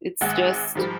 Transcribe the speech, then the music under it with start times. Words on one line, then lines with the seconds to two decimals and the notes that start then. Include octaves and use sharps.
it's just,
0.21 G#1 G#3 F#5
0.75 G#2 F3 G3